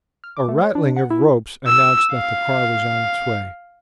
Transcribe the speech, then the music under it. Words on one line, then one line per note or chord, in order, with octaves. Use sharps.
A rattling of ropes announced that the car was on its way.
F6
D6
A3
C#5
D4
F#5
E4
E6
F5